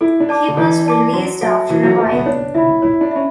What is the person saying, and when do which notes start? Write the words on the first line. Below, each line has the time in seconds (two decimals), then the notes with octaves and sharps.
He was released after a while.
0.01 E4 A4
0.20 D4
0.29 D5 A5 D6
0.48 D3
0.57 E3 A4
0.86 D5 A5 D6
1.13 F#3 F#4
1.41 F#3 A4 E5 A5
1.70 E3 F#4
1.83 F#3
1.98 A3 A4 E5 A5
2.12 B3
2.26 D4 C#5
2.55 E4 E5 B5
2.82 E4 C#5
3.01 D4
3.11 C#4 E5 B5